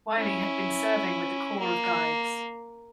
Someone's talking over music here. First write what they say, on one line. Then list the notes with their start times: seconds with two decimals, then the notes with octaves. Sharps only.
Wylly had been serving with the Corps of Guides.
0.16 C#4 E4
1.59 A#3